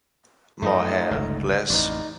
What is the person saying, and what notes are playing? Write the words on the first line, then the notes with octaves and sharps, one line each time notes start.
More hair, less...
F#2 F3 A3 D#4 D#5
G1 C#2
A1 F2 D#4 D5